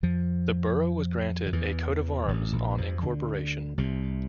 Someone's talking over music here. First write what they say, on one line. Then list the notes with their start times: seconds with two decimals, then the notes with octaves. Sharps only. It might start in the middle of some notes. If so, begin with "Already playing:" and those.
The borough was granted a coat of arms on incorporation.
0.03 F2 F3
1.46 D3
1.53 E2 E3
2.27 A1 A2
2.53 A#1 A#2
2.78 F2 F3
3.03 D2 D3
3.78 C2 C3